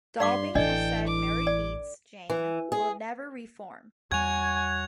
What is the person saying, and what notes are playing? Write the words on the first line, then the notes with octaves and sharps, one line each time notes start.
Dolving has said Mary Beats Jane will never re-form.
G2 D5 F5 C6 D6
A1 E3 D4 A4 D5 D#5 G5
D6
D5
E3
G#4
E2 G3 F#4 C#5 F#5 G#5 G#6 F7